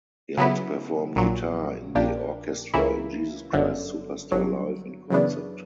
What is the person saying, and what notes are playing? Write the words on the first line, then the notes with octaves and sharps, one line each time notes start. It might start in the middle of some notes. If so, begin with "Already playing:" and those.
He also performed guitar in the orchestra in "Jesus Christ Superstar Live in Concert".
C#3 F#3 B3 E4
A#1 A#2 F#3
A#1 A#2 A#3 D4 G4
C#2 C#3 E3 A#3 E4
G1 F#2 D3
G1 G2 F#3
F#2 C#3 E3 B3 D4